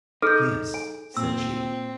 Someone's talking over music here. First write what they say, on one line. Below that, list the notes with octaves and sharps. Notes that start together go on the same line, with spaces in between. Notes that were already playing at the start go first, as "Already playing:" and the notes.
"Yes," said she.
D#4 G#4 A4 F6 G6
G#5
A#2 C4 E6